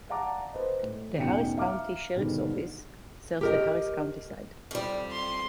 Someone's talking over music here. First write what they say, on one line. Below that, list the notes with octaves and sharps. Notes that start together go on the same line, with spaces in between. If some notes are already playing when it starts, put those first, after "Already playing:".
The Harris County Sheriff's Office serves the Harris County side.
D5 F5 F#5 A5 A#5 D6
B4 C5 D#5
A2
A1 E2 B2 D#4 G5 C#7
E5 F5 A#5 D6 F6
G#2 B2 D3 D#3 G3
G4 A#4 D#5
F2 G3
C6